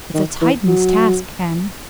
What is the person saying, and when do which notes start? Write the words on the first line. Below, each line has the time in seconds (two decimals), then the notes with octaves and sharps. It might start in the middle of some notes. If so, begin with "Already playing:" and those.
"It's a Titan's task, Ken."
0.15 D#3
0.42 E3
0.68 F#3